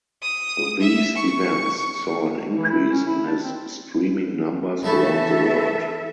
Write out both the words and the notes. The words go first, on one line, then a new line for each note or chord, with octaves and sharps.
These events saw an increase in his streaming numbers around the world.
D#6
E5
C#6
E3
E4
C#4
E4
D4
C4
C#3 E3 A3 E4 A4 E5